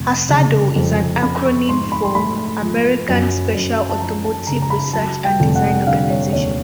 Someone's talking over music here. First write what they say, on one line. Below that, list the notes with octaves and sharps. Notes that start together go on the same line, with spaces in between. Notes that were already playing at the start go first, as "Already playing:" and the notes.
"Asardo" is an acronym for "American Special Automotive Research and Design Organization".
Already playing: F1 F3
C#3
F2
C4 B5
C#6
G#2 C6
B5
C6
A3 B5
F3
F#2
F#2
A5
F3 A#5
A5
C#3 A#5
A#5
B5
F#3 A5
G5
F1
F#5
D3 F5
C#5
D#2 C#5